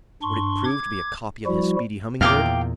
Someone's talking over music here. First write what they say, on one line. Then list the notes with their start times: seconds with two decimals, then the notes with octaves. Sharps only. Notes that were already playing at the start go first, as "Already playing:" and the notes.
Would it prove to be a copy of his speedy Humming-Bird?
0.23 G2 D4 C6 C#6
0.65 D6 G#6
1.46 F3 G3 E4 F#4
2.21 E2 A#2 F5 G5 D6